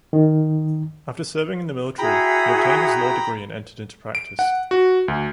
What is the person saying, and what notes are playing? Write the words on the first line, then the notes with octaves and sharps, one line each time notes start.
After serving in the military, he obtained his law degree and entered into practice.
D#3
E4 F#4 G#4 G5 A#5 B5
D7
F#5
F#4
D2